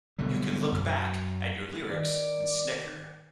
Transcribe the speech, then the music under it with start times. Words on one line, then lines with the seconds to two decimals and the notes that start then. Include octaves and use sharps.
You can look back at your lyrics and snicker.
0.19 B2 D3 F#3 G3
0.72 F#2
1.90 D#3 D5